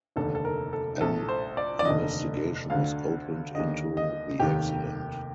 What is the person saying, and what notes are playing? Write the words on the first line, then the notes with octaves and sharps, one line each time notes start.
An investigation was opened into the accident.
F1 D#2 D3 A4
A4
A#4
A4
A#1 A2 A4
C5
D5
D5
F1 D#2 D3 D#5
D2 D3 F5
D#2 D3 D#5
D#5
F1 D#2 D#3 G4